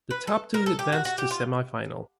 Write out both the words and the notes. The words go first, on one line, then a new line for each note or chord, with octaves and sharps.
The top two advanced to semifinal.
B4
A4
A#4
A4
G4
F#4
F#4
G4
F4